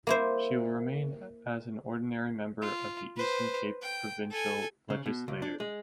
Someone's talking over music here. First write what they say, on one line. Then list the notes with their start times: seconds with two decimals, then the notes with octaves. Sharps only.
She will remain as an ordinary member of the Eastern Cape provincial legislature.
0.07 A#3 E4 C5
2.62 F4
3.17 B4 C5
3.82 G5
4.30 A4 G#5
4.90 C#3
5.06 B2
5.28 C#2
5.42 D4
5.60 G#3